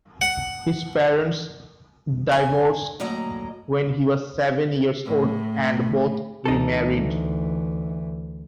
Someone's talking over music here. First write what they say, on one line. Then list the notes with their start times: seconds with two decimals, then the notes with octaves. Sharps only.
His parents divorced when he was seven years old and both remarried.
0.21 F#5
2.32 G#5
3.00 D2 A2 F#3 A#3 D#5 A#5
5.05 A2
6.46 D2 E3 D#4 A4